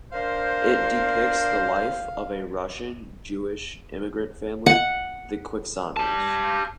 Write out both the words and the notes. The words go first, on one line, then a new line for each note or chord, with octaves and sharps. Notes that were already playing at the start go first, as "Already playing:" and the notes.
It depicts the life of a Russian-Jewish immigrant family, the Quixanos.
D4 A#4 C5 F5
F#5
G4 A5